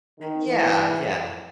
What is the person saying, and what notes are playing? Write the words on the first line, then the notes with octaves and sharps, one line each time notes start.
Yeah, yeah.
D#3
E3